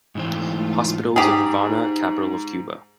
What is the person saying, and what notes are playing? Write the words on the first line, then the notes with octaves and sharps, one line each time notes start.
Hospitals in Havana, capital of Cuba.
G#2 E3 A3 F4 C5
G#2 G4 G#4